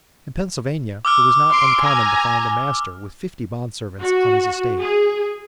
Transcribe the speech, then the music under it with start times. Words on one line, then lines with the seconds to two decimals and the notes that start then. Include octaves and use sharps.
In Pennsylvania, it was not uncommon to find a master with fifty bond servants on his estate.
1.05 D6 E6 F6
1.53 C6 D7
1.83 G#5 A#5
4.00 F#4
4.79 G#4